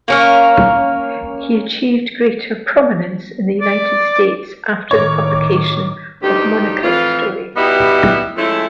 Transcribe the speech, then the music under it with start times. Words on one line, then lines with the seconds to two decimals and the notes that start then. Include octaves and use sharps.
He achieved greater prominence in the United States after the publication of "Monica's Story".
0.08 A#3 C#4 A#4
3.61 D5
4.91 A2 D#3 C#5 D6
6.22 D2 G2 D#4 G4
6.82 F2 A2 E3 F4
7.56 B2 G3 B3 D#4 E4 G4
8.37 F3 G#3 A3 C#4 E4